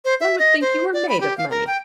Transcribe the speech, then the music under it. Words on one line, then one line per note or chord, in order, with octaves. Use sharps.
One would think you were made of money.'
C5
E5
D#5
C5
D5
B5
G4
F5
A#4
G5